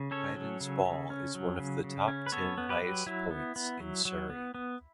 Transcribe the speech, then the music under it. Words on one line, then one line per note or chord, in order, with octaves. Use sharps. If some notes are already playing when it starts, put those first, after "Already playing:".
Hydon's Ball is one of the top ten highest points in Surrey.
Already playing: C#3
C#4 A4 C#5
F#3
C#3
C#3
C#4
F#3
C#3
C#3
C#4
B4
B3 A4 C#5
B3
G4 B4
F#3
F#3 E4
B3
B3
F#3
F#3
B3
B3